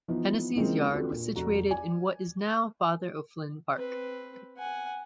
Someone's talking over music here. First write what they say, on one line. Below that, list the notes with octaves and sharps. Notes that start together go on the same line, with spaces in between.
Hennessy's yard was situated in what is now Father O'Flynn Park.
E3 F3 B3 D#4
C#3 E3 F3 G#3 A#3 C4
C4 D4 F4 F#4 A4 B4
A#2
F1 F#4 A#5
D5 G#5
C4 B4
F#5 G#5